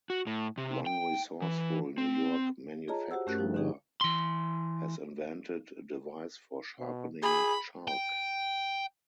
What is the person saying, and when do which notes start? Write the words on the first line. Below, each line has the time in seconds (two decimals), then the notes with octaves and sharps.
One resourceful New York manufacturer has invented a device for sharpening chalk.
0.10 F#4
0.27 A2
0.58 C3
0.86 G5
1.42 E3
1.98 C4
2.88 F4 G#4 C#5 D#5 A5 A#5
3.11 F#4 G4 C5 F#5 E6
3.26 G2 A3 C#4 G4 A#4 F#6
3.38 F3 G3 D#4
3.54 D3 C4 D4 D#4 G4 G#4
4.01 E3 C6
6.79 B2
7.22 G#4 B5
7.88 G5